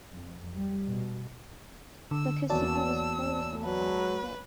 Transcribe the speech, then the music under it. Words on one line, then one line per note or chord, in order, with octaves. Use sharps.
The casino was closed on the following day.
F2
G3
B2
D3 E6
E2 A#3 F#4 C#5 D5 A5 E6
F#3 B4